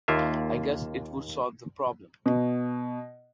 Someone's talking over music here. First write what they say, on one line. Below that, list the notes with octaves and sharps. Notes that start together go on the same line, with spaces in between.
I guess it would solve our problem.
D#2 A#3 F4 E5
B2